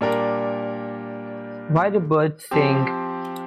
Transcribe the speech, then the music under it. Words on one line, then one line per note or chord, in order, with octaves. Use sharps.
Why Do Birds Sing?
A#2 G3 D4 G4 A#4
F3 C4 G4